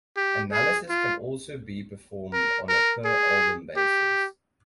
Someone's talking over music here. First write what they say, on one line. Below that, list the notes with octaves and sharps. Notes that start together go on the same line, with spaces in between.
Analysis can also be performed on a per-album basis.
G4
G#4
F4
A#4
A#4
G#4
G4